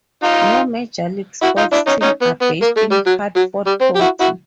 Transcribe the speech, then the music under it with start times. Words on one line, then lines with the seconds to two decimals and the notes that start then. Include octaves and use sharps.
No major league sports teams are based in Harford County.
0.23 D#4 F4
1.42 E4 F#4
1.57 D#4 F4
1.72 D4 E4
1.87 C#4 D#4
2.02 C#4 D#4
2.22 B3
2.42 B3
2.62 A#3
2.77 A3
2.92 G3
3.06 F#3
3.36 F#3
3.66 G3
3.81 C4
3.95 G4
4.00 E4 F#4
4.21 E4 F#4